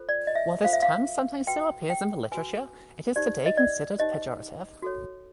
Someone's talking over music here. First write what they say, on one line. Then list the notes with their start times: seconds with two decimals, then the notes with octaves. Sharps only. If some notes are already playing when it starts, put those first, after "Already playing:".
While this term sometimes still appears in the literature, it is today considered pejorative.
Already playing: F4 A4 C5
0.09 D5
0.27 D#5
0.35 E5
0.64 F4 A4 C5 F5
0.73 E5
0.83 F5
1.47 F#4 B4 G5
1.90 G5
2.32 F#4 B4 G#5
3.16 D#4 G4 C5 D5
3.46 D#5
3.57 D5
3.99 D#4 G4 C5 D#5
4.82 F#4 A4 C#5